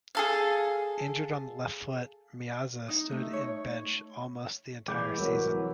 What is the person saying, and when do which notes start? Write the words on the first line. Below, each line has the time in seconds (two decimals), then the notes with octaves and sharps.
Injured on the left foot Meazza stood in bench almost the entire season.
0.15 G#4 A4 F5
2.89 D#4
3.11 A3
3.33 C#5
4.88 E3 G#3 D6 G6
5.18 C2 F#3 A#4